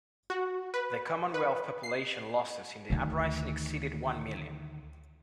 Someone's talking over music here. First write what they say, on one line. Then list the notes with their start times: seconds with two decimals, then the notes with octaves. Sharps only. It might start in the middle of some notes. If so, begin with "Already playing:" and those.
The Commonwealth population losses in the uprising exceeded one million.
0.30 F#4
0.74 B4
1.34 B4
1.83 C7
2.90 D2 D#3